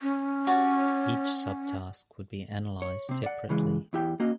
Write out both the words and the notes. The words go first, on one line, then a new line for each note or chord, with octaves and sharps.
Each subtask would be analyzed separately.
C#4
F#4 C#5 D5
C#5
C3 C4
D5 F#5
C#3 E3 G#3
E2 E4 G4 G5
A#3 C#4 F#4 D#5